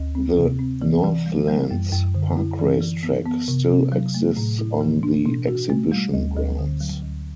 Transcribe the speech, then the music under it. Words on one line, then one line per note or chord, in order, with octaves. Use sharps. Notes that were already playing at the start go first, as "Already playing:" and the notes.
The Northlands Park race track still exists on the exhibition grounds.
Already playing: D2
C4
C3
C4
E3
E3
G3
G3
F#2
F#2
D3
E4
E3
E3
B3
B3
C3
C3
F#3
A3
A2
E4
E3
D4
B2
F#4
A3
G3
D2
D2
D3
F#3
D2